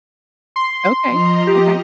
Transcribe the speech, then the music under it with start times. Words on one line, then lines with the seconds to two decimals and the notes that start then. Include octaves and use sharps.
Okay, okay.
0.56 C6
1.08 F3 D#5 A#5
1.47 G4